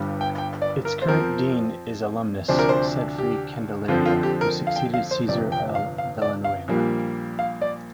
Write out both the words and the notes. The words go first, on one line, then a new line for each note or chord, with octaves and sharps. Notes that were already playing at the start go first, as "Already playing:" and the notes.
Its current Dean is alumnus Sedfrey Candelaria who succeeded Cesar L. Villanueva.
Already playing: G1 G2 G3
G5
G5
D5
A#4
C5
F2 F3 C4 A#4
D2 C3 F3 D4 C5
A#4
C5
G4
F2 D3 F3 C4 F4
F4
G4
A#4
F5
G5
F5
C5
G1 F2 C3 D5
G5
F5
F5
D5
F5
A#1 A#2 G3 A#3
F5
D5